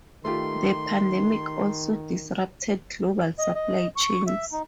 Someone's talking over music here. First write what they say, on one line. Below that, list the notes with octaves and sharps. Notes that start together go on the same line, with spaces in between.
The pandemic also disrupted global supply chains.
D#3 A3 F4 G4 C6
D#5
D#5
C#6
E5
D#4